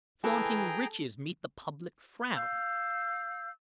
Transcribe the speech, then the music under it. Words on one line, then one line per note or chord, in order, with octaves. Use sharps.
Flaunting riches meet the public frown.
E3 G#4 A4 G5 A#5
F5 E6 G6